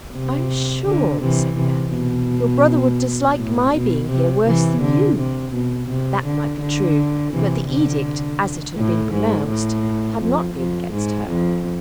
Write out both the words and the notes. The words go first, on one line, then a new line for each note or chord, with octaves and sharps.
"I am sure," said Mary, "your brother would dislike my being here worse than you." That might be true, but the edict, as it had been pronounced, had not been against her.
C3
D3
C3 E3
C3
B2
A2
B2
C3
C3 E3
D3
C3
B2
C3
D3
D3
C3 E3
D3
A2
G#2
A2
F2
F2
G#2
F2